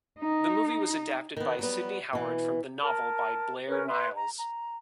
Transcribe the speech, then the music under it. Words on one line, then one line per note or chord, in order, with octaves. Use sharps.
The movie was adapted by Sidney Howard from the novel by Blair Niles.
D#4
D#3 B3
F#3 G3 B3
B2 E3
A#4 A5
C#4 A#4 B4 C#5
B4 E5 C6
A#5
A#5